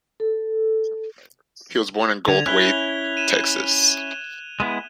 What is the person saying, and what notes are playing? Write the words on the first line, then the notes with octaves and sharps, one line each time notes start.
He was born in Goldthwaite, Texas.
A4
D3 G#6 F7
C#4 E4 F#6 G7
D#7 E7
G#3 B3 E4